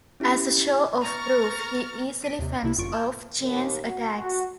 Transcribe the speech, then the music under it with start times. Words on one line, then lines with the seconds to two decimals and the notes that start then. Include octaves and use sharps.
As a show of 'proof', he easily fends off Chien's attacks.
0.20 C#4 E4 G4
1.03 A#5 C#6 F6 A6
2.24 B6 D7 D#7
2.39 D#2 C3
2.63 C2 C3 E4
2.78 G1 F#2 F4 C#6 D7
2.93 A5 F6 G6 G#6
3.41 D#2
3.85 F#4
4.17 F#4